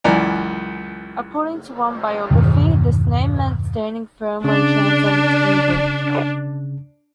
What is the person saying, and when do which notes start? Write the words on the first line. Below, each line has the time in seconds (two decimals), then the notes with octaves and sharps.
According to one biography, this name meant "standing firm" when translated to English.
0.04 C#2 F#2 E3 D5 G#5 A#5
2.31 E2 G2 B2 D#3
4.44 C#3 D4